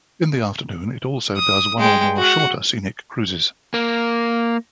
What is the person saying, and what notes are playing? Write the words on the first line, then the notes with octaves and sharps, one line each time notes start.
In the afternoon it also does one or more shorter scenic cruises.
D#6
G#3 G5
F#4 F#5
A#3